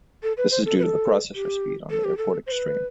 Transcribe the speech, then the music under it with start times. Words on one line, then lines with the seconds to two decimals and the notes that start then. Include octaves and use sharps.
This is due to the processor speed on the AirPort Extreme.
0.23 A4
0.37 B4
0.51 C5
0.65 A4
0.79 B4
0.83 A4
1.35 G4
1.91 A4
2.04 G4
2.18 A4
2.47 C5
2.52 B4